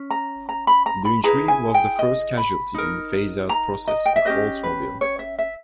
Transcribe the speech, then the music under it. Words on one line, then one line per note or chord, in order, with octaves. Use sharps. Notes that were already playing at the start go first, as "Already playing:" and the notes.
The Intrigue was the first casualty in the phase-out process of Oldsmobile.
Already playing: C#4
A#5
A#5
B5
A#5
B5
E4 G#4 B4 A#5
G#5
G5
D#5
B5
D#4 A#4
A#5
D#5
G5
E5
C#4 G4 B4 D#5
B4
C#5
E5
E5